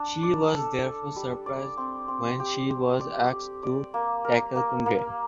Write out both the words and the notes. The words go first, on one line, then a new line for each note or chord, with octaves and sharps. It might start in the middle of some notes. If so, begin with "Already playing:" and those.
She was therefore surprised when she was asked to tackle Kundry.
Already playing: D4
D5
A4
A4
G3
D5
C4
C4
G4
C4
D5
G4
D5
A#3
A#4
A#3
A#3